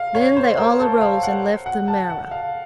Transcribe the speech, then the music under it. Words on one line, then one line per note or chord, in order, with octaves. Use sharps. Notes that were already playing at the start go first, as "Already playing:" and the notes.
Then they all arose and left the marah.
Already playing: F5
C#5
C5
A#4
A4
F5
F#5
F#5
A5
F#5
F5